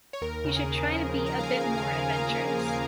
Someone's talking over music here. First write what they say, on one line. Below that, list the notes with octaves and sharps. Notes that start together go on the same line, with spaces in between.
You should try to be a bit more adventurous.
C#5
D#2 A#4
C#3
G#4
C#3
F3
C#3
A#5
D#2 F5
G#5
D#2 F5
G#5
F5
C#3
D#2
A#5
A#3 G#5
F3
F5